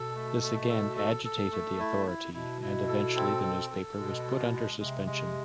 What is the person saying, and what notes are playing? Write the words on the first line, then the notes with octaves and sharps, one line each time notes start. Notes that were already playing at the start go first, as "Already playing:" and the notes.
This again agitated the authority and eventually the newspaper was put under suspension.
Already playing: B2 A4
A3
A3
A4
A4
A4
A3
E4
E4
B2 E4
E4
A4
C4
A4
A4
B2 G#3
G#3
G#3
C3 G#3
G#3